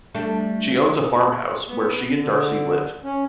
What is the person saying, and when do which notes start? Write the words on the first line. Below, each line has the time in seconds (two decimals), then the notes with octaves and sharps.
She owns a farm house where she and Darcy live.
0.15 G3 A3 D4
1.68 B3
2.20 D3
3.04 C#4